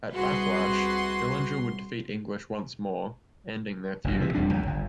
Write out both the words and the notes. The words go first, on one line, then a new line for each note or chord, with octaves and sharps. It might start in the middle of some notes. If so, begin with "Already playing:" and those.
At Backlash, Dillinger would defeat English once more, ending their feud.
C2 F#4 G#4 B4 C6
F#1 G2 B2
C3 E3
E1 F2 G3 D4
C#2
G1